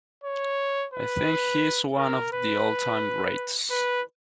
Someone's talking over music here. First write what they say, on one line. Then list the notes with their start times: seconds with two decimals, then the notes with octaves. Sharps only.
I think he's one of the all-time greats.
0.24 C#5
0.93 B4
1.97 A#4
2.33 B4
3.70 B4